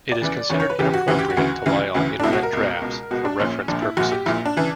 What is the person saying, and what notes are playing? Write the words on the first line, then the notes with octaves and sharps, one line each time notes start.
It is considered inappropriate to rely on Internet Drafts for reference purposes.
D5
E2 C#3 E3
E2 C#3 E3 C#5
C#5
B4
E2 C#3 E3 G4
F#4
D2 C#3 E3 F#4
G4
F#4
D2 C#3 E3
D2 C#3 E3
D2 C#3 E3
D4
C#2 B2 E4
F#4
A#4
C#2 B2
C#2 B2
C#2 B2 F#4
D4
A#1 A#2 C#4
A#1 A#2 D4
E4
A#1 A#2 F#4
G4
A#1 A#2 E4
D4
C#3 E3